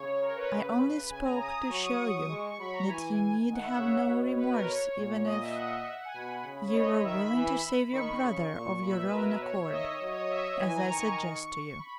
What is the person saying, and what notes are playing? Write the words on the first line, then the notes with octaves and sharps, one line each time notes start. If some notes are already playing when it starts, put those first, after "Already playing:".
I only spoke to show you that you need have no remorse even if... you were willing to save your brother of your own accord, as I suggest to you.
Already playing: C#3 C#5
A#4
B4
C#3
C#3 G#5
A#5
D#6
F#3 C#6
D#6
F#3 C#6
G#3
C#6
F#3 B5
A#5
E3 G#5
D#3
F#5
E5
C#3 C#5
B2
B4
A#4
B4
C#5
A#2
D#5
E5
F#5
F#5
D#5
E5
F#5
G#5
B2 B5
C#3
C#5
D#5
C#5
D#3 E5
B5
E3 B5
D#3 C#6
C#3
A#2 C#6
A#2 B5
E5
B4
B2 A#4
B4
C#5
E5
D#3 D#5
F#3
C#5
D#5
E5
E3 G#5
A#5
D#3 C#6
B5